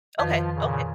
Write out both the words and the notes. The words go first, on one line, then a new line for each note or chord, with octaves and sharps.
Okay, okay.
F2 D#3 F3 F4 B4
A#2 C#3